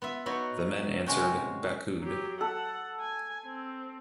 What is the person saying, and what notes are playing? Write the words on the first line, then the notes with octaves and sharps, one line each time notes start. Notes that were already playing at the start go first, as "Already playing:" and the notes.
The men answered "bakood".
B3 F4 E5
F#3 B3 D#4 F#4 C#5
C3 G#3 C#4 F#4 G5
F#3 G4
A4 F#5
G#5
C4